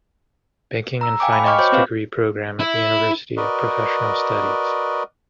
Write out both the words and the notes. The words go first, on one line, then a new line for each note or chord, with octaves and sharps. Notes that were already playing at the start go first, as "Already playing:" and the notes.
Banking and Finance degree programme at the University of Professional Studies.
A#5 E6
F5 G5 G#5 D6
B5
D#5 G5 C#6 D6 F6
F#4 C5 C#5 B5 D6 G6
C4 B4 C5 F5
E4
F#4 A#4 B4 D5 D#5